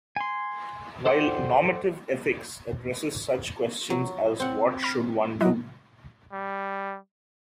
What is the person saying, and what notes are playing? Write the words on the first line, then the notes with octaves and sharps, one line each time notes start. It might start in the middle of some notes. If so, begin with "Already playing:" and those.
While normative ethics addresses such questions as What should one do?
G#5 C6
A4 C5 D5 F#5 G5
F3 F#3
C4 F#5
B5 F6
F#3 E4 D#5 F#5
G3